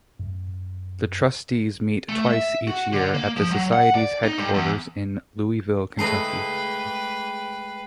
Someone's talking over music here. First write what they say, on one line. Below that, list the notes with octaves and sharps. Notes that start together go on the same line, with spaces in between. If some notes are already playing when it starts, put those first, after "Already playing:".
The Trustees meet twice each year at the Society's Headquarters in Louisville, Kentucky.
F#2
A3
E5
F#4
D3
A#3
F3
F#3
F#5
D5
D#4
G2
E2
G#3 A3 G#4 B4 D#5 G5 A5 C7